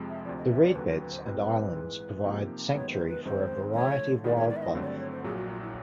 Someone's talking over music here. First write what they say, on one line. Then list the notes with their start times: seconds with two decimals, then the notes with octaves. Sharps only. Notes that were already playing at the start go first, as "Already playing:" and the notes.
The reed beds and islands provide sanctuary for a variety of wildlife.
Already playing: F2 C3 F3 G#3
0.09 E5
0.25 D2 C3 F3 D5
0.38 D#5
0.50 E5
0.63 D5
0.75 D#2 D3 F#3 B4
0.88 A#4
1.00 B4
1.12 C5
1.25 A#1 A#2 G3 C4 E4 B4
1.75 G#2 E3 G#3
2.25 C3 F3 A#3 D#4 G4
2.75 F#2 D#3 G#3 B3 C#5
2.92 C5
3.09 B4
3.25 G#1 F#2 D#3 G#3 C4 C5
3.75 D3 F3 A3 C#5
4.24 G#2 D#3 G#3 B3 E4 D5
4.37 C#5
4.50 D5
4.56 E5
4.63 D#5
4.75 G2 D3 F#3 A3 C4
4.82 C#5
4.87 D5
4.99 C#5
5.12 C5
5.24 A#1 A#2 F#3 G#4
5.37 F#4
5.49 F4
5.62 E4